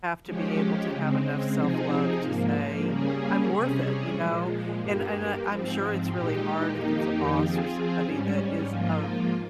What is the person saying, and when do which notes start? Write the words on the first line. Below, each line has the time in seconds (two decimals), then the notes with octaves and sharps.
have to be able to have enough self love to say, "I'm worth it." You know? And and I I'm sure it's really hard if it's a boss or somebody that is of e
0.25 F3 G#3 C#4 G4
0.90 C#3 G#3 C4
1.55 C3 F3 C4 D#4 G#4
2.19 G#2 F3 A#3
2.84 C#3 G3 A#3 C#4 G#4
3.49 C3 G3 C#4 G#4
4.14 A#2 F3 G#3
4.79 G2 G3 A#3
5.43 G#2 F3 C4
6.08 A#2 G#3 D#4 G4
6.73 F2 D#3 A#3 D#4 G4
7.38 F3 C4 F4 G#4
8.03 G#2 G3 C#4
8.68 G#2 F3 A#3 F4